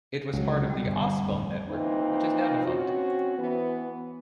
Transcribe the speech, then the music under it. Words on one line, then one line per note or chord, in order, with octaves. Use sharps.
It was part of the AusBone network, which is now defunct.
C#2 F#3
G3
G1
D1
E3 A#3 C4 D#4 F4
C4 C#4 F#4
E3 B3